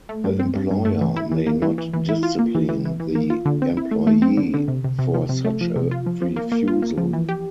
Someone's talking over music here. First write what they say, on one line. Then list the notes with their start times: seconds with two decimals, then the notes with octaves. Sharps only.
The employer may not discipline the employee for such a refusal.
0.09 A3
0.24 G2
0.40 C4
0.55 G2
0.71 G2
0.85 A3
1.01 E3
1.17 E4
1.32 E3
1.46 A#3
1.62 E3
1.78 E3
1.93 E3
2.09 E4
2.23 F4
2.39 A#3
2.55 E3
2.69 E3
2.85 E3
3.00 E3
3.15 A#3
3.30 F4
3.45 D3
3.62 C4
3.77 E4
3.91 A3
4.07 A3
4.22 C4
4.37 D3
4.54 D3
4.68 C3
4.84 C3
4.99 C3
5.14 F3
5.29 C3
5.45 A3
5.61 F3
5.76 C3
5.91 F4
6.06 F3
6.22 F3
6.36 A#3
6.52 A#3
6.68 F4
6.82 A#3
6.98 F3
7.13 E3
7.29 G4